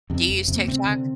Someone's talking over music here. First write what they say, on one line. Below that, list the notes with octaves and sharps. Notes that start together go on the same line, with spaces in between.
Do you use TikTok?
F2 C3
F1
F2 C3
A#3
D2 C3 C4
D3